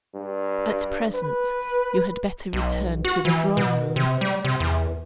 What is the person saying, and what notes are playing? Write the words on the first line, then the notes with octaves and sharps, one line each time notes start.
At present, you had better return to the drawing-room.'
G2
B4
B1
F#4
E3
B2
C3
G3
C3
E2